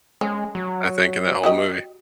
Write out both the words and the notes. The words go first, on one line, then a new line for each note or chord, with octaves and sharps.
I think in that whole movie.
G#3 C#4
F#3
F#4 G4 D#5